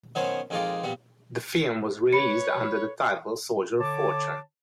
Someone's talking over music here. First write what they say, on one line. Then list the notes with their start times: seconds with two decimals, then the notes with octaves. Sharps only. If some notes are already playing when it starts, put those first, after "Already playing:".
The film was released under the title "Soldier of Fortune".
0.15 D#3 F#3 B3 C#4 C5 C#5
0.50 F2 D#3 G#3 D#4 F4 D5
0.83 A#2 G3 B3
2.13 B4 C#5 B5 C#7
3.79 D3 C#5 A5 D6